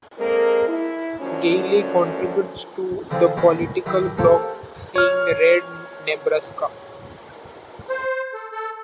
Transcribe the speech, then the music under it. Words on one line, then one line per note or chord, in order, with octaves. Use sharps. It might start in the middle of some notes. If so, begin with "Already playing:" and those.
Gailey contributes to the political blog Seeing Red Nebraska.
G#3 A#3 C4 A4 A#4
E4
F#2 D3 F3 A3 C#4
D3 E3 F3 C4 F4 G#4
B2 D#3 B3 C#4
D#3 F#3 E4 G4
G4 A4 A#4 C5 C#5 F5
C#5 F6
C5
A4
A4